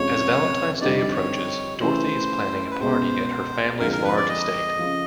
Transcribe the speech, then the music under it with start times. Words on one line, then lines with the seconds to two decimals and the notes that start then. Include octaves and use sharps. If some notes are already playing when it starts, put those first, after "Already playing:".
As Valentine's Day approaches, Dorothy is planning a party at her family's large estate.
Already playing: F2 C3 F3 G#3 C#4 C#5
0.81 F2 D3 G3 C4 D#4 D5
0.97 D5
1.14 C#5
1.81 C#3 E3 A3 C#4 E4 C5
2.71 B4
2.80 C#2 B2 G#3 B3 C5
3.79 F2 D3 F3 G#3 A#4
3.92 A#4
4.04 B4
4.17 D5
4.29 D#5
4.79 C#3 F3